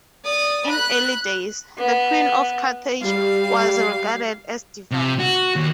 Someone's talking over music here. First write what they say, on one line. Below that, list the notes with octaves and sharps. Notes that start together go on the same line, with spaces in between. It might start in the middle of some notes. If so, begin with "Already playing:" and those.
In early days, the queen of Carthage was regarded as divine.
D5 D#6
B5 F#6
B3
G3 F5
C3
F#4
D#2